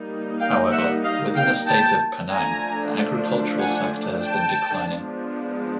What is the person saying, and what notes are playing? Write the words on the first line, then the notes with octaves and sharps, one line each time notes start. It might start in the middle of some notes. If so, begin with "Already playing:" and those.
However, within the State of Penang, the agricultural sector has been declining.
Already playing: G3 A#3 D#4
F5 G5
E5 F#5
D#5 F5
F5 G5
G5 A5
F3 A3 D4 G#5 A#5
F#5 G#5
G5 A5
F3 G#3 B3 D4